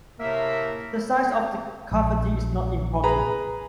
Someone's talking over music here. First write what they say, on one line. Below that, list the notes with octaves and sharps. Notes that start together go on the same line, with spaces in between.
The size of the cavity is not important.
A2 C3 A#3 A#4 E5
A#1
G#4 B4 A#5